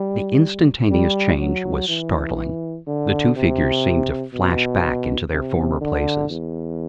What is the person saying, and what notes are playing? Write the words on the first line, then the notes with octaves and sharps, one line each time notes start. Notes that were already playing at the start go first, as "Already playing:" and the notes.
The instantaneous change was startling: the two figures seemed to flash back into their former places.
Already playing: G3
G3
F#3
E3
D3
C3
B2
C3
D3
E2